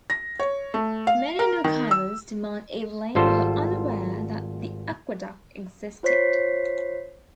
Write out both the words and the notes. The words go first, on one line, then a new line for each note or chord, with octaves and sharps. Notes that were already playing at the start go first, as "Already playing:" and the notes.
Many newcomers to Mount Evelyn were unaware that the aqueduct existed.
A#6
C#5
A3
F5
A#4
D#3
E6
G#1 G3 F4 A4 C5
F4 C5 C#5 B6 C7